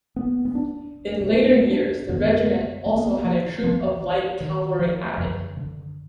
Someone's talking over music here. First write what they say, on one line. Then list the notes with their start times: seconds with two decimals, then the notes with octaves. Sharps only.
In later years, the Regiment also had a troop of light cavalry added.
0.16 B3
0.45 B3
0.55 D4
1.33 B3
1.42 D4
1.53 B3
1.71 D4
2.09 F#2 D3 B3
2.86 A#3
2.98 B3
3.10 A#3
3.25 F3
3.64 F3
4.40 D#3
4.79 F3
5.18 F#2 D3 F3
5.57 D3